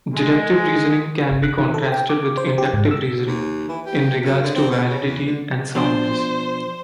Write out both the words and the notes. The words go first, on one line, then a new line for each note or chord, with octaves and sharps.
Deductive reasoning can be contrasted with inductive reasoning, in regards to validity and soundness.
G#3
G1
F#6
D#3
A4
G5
D6
C5
G4
G#2
E6
D#2
E3
G4
F#2
D3
C4
B2
C#3
E2
D3
B2 F3 D4 C5